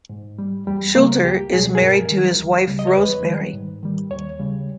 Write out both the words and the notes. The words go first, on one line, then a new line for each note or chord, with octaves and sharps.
Schulter is married to his wife, Rosemary.
G#2
G3
E2 G3
C#3 G3 A#3
C#2 G4
B2 G3 G#4
G#4
G2 A#4
D#3 G3
C#2
C#3 G3
D#5
C#5
E2 B4
D#3 G3
G#2
D#3 G3
D#2 C#5
C#3 G3